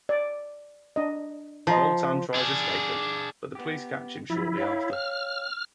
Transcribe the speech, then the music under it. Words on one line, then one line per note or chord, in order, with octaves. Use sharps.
Voltan tries escaping, but the police catch him shortly after.
D5
D4 D#5
F3 D#5 A#5 C6
D4 G#4
B3 G4
F3 F#3 E4
C#5 F5 G5
F6